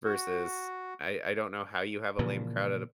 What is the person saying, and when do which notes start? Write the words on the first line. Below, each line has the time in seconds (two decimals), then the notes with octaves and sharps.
versus I I don't know how you have a lame crowd at
0.05 F#4
2.19 A#2 C#3 E3 F3